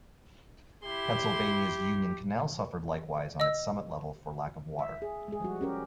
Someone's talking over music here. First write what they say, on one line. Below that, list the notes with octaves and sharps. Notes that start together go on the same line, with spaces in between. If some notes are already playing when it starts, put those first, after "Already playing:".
Pennsylvania's Union Canal suffered likewise on its summit level for lack of water.
E4 G4 C6
D#5 E6
E5
G#4
G#3 G#4
F3 G3 F#4
C#4 G4 A#4